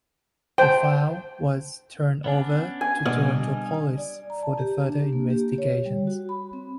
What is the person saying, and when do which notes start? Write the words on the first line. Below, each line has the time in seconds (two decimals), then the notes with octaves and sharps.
The file was turned over to Toronto Police for further investigation.
0.58 C5 G5 A5
2.24 B3 C#4 D4
2.81 G#5
3.06 B2 G3 D4 D#5 F6
3.98 D5
4.30 A#5
4.43 A5
4.59 G4
4.86 D4
5.13 A#3
5.30 G4
5.58 C#5
5.85 G3
6.07 F#4
6.29 B5
6.53 C4